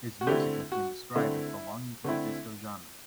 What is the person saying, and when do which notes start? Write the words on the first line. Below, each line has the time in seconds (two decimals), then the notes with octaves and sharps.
His music has been described as belonging to the disco genre.
0.21 F#4
0.27 D3 A3 C4 E4 G4
0.72 F#4
1.15 D3 A3 C4 E4
2.04 D3 A3 C4 E4